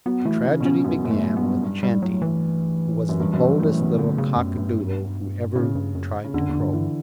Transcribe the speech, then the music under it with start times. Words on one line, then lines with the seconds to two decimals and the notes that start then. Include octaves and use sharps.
The tragedy began with Chanty, who was the boldest little cockadoodle who ever tried to crow.
0.06 F#3 B3
0.25 E3 A3
0.45 C#3
0.60 B2
0.65 C#3 C#4
0.84 F#2 B3
1.05 F#2
1.11 A3
1.24 F#2
1.37 B3
1.43 G2
1.63 G2
1.83 G3
2.02 A2 F#3
2.22 E3
3.09 F#2
3.20 G2
3.33 F#2
3.39 G2
3.60 A2
3.79 B2
3.99 D3
4.18 C#3
4.37 F#2
4.57 G2
5.55 A2 C#3
5.75 G2
5.95 F#2
6.24 C#3
6.34 E2 D3
6.41 F#2
6.49 E2 D3
6.60 G2
6.73 E3